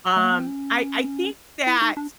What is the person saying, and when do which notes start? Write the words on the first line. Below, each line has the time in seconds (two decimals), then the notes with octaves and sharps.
um, I I think that
0.17 A3
0.24 A#3
0.32 B3
0.39 C4
0.47 C#4
1.67 E4
1.82 D#4
1.97 D4